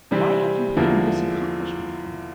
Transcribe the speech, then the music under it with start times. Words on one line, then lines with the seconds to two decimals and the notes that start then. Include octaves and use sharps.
Why have you hidden this accomplishment from me?
0.11 C3 E3 G3 C4
0.77 E2 D3 F3 A#3 E4